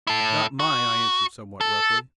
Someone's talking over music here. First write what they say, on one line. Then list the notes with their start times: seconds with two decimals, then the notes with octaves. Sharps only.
"Not mine," I answered somewhat roughly.
0.07 E4 A4
0.59 F#4
1.61 A4